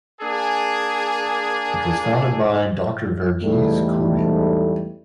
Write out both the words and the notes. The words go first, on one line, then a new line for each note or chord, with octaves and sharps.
It was founded by Doctor Verghese Kurien.
A#3 D4 G#4
E2 G#2 G3 A3